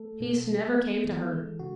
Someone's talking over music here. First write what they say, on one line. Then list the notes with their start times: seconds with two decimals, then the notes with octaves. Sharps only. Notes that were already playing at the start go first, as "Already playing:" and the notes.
Peace never came to her.
Already playing: A3 A4
0.20 B2
0.49 G#3
0.76 B3
1.04 E3
1.32 G#3
1.59 C#3 F#4